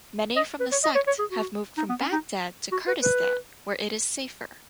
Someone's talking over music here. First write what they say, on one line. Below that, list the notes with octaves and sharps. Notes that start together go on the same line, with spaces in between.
Many from the sect have moved from Baghdad to Kurdistan where it is safer.
D#5
B4
C#5
D#5
C#5
C#5
G#4
F#4
D#4
B3
C#4
D#4
F#4
B4
B4